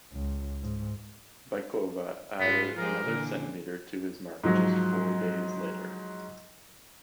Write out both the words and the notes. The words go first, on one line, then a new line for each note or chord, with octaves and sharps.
Bykova added another centimetre to this mark just four days later.
C#2
G#2
G#2 B3 F4
F3 G#3 G4 A#4
A#2 D3 E3
G#2 F3 F#3